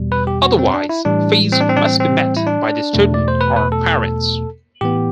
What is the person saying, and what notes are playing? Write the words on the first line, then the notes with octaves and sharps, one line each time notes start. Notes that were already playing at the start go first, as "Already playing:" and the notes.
Otherwise fees must be met by the student, or parents.
Already playing: E2 B2 G3
B4
G4
F#4
C4
D4
E4
A2 E3 G3 D4
C4
D4
C4
D4
C4
C4
E4
D4
E2 B2 A3
D5
C5
B4
B4
A4
A2 E3 B3 G4